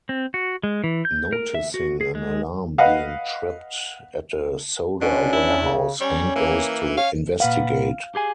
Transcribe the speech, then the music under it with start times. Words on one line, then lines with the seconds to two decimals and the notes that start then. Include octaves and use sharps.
Noticing an alarm being tripped at a soda warehouse, Hank goes to investigate.
0.09 C4
0.34 F#4
0.63 G#3
0.84 E3
1.05 G6
1.33 A#4
1.54 E5
1.74 F#4
2.01 G#4
2.15 G#3
2.78 B4 D#5 F5 F#5
5.01 B2 C#4 D4
5.33 E4
5.62 C#3
6.01 G3 C#4 C#5
6.36 E3 A#3
6.97 C#4 F5
7.40 A#2 B4 F5 F#5
8.15 G4 G#4 G#5